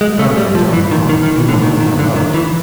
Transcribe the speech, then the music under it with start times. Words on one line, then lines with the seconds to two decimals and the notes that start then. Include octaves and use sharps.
I thought of my darling Almah, whom alone I loved.
0.01 G#3
0.19 A3
0.37 G3
0.55 F3
0.73 E3
0.91 D#3
1.09 D#3
1.23 D#3
1.36 E3
1.49 D3
1.63 D#3
1.80 D#3
1.99 D3
2.16 D#3
2.34 E3